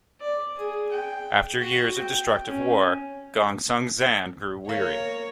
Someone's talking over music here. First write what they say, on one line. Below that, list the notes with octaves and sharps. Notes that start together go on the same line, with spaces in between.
After years of destructive war, Gongsun Zan grew weary.
D5
G#4
G5
F#4
G5
C#4
A#3 C#5